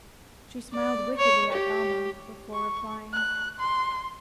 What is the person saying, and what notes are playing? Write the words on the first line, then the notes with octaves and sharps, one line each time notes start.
She smiled wickedly at Alma before replying.
D5
C#5
G4
C#6
F#6
C6